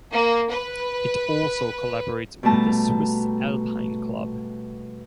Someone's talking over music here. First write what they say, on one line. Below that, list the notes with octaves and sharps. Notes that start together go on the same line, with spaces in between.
It also collaborates with the Swiss Alpine Club.
A#3
B4
B2 G3 A3 A5 A#5